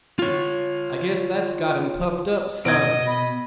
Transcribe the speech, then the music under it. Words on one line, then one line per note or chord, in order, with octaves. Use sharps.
"I guess that's got him puffed up some."
F4 C#5
B2 D#5 G#6 D7
B5